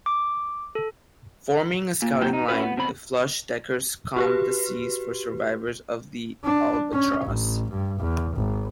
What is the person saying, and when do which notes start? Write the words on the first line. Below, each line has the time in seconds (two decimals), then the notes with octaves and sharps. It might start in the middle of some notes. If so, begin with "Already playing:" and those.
Forming a scouting line, the flush-deckers combed the seas for survivors of the "Albatross".
0.06 D6
0.75 A4
2.02 A#2
2.21 A#2 F#3 A#3 E4 G5
2.33 D#4
2.48 C#4 E4 F#4 B4
2.63 B3
2.77 B2 C4 B5
4.16 F#4 G4 B4
6.44 D4
6.93 C#4
7.25 A1
7.71 G2
8.00 E2
8.36 G#1